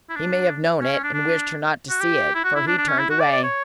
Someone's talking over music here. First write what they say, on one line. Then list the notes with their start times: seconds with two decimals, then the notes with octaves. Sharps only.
He may have known it and wished her not to see it, for he turned away.
0.10 E4
0.16 D4
0.81 C#4
0.92 C#4
1.03 D4
1.13 D4
1.90 F#4
2.01 G4
2.35 E4
2.44 F#4
2.55 E4
2.67 D4
2.78 D4
2.88 C#4
2.99 E4
3.10 F#4
3.20 D5
3.32 D5
3.43 C#5